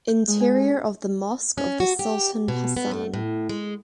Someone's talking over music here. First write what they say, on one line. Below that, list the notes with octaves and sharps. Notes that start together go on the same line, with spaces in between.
Interior of the Mosque of the Sultan Hassan.
G6
G#3
G#5
A4
C#4
C#4
F#4
G4
B2
B3
A3
A2
G#3